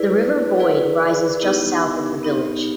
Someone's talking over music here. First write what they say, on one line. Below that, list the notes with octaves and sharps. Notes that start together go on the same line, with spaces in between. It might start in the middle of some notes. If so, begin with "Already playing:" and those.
The River Boyd rises just south of the village.
Already playing: E4 G#4 B4 D5
E4 G#4 B4 D5
B3 D#4 G4
B3 D#4 G4